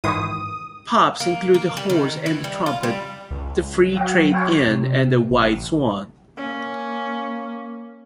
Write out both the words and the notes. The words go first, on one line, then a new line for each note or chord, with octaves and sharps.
Pubs include The Horse and Trumpet, The Free Trade Inn, and The White Swan.
G#2 D#3 E3 D#6
A#3
A#3
G3
D#3
E3
G3
F4
G3
C#2
F#3
C3
A1
A#3 C#4